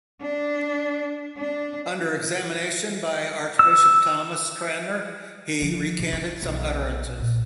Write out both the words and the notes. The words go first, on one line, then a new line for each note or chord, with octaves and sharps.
Under examination by Archbishop Thomas Cranmer he recanted some utterances.
D4
D4
E6
F3
C3
D4
B1
A#2